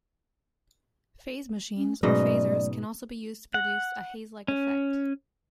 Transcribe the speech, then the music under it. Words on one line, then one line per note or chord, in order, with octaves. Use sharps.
Faze machines, or fazers, can also be used to produce a haze-like effect.
C#4
G#2 B2 F#3 A3 C#4 D5 D#5
F#5
C#4